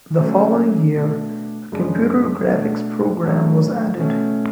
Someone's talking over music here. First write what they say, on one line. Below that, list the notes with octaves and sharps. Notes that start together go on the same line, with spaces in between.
The following year, a Computer Graphics program was added.
D3 F#3 A3 C#4
B2 A3 D4
F#2 C#3 G#3 D4
B2 A3 D4
A2 F#3 A3 D4
B2 A3 C#4